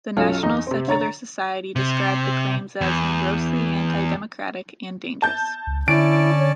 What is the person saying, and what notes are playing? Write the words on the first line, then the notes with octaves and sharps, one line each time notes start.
The National Secular Society described the claims as "grossly anti-democratic and dangerous".
B1 F#3 C#4 F4 A4 F6
E2 D#4
C3 C4
D3 C#5 A#5 A6
C3
E2
A5 G6
C#2
D3 C#4 E4 D5 A5 D7
C#5